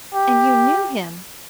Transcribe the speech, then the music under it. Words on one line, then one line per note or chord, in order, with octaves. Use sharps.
And YOU KNEW HIM.
G4